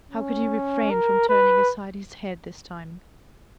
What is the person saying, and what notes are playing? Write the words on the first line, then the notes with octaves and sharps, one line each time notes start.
How could he refrain from turning aside his head this time?
C#4
A#4
B4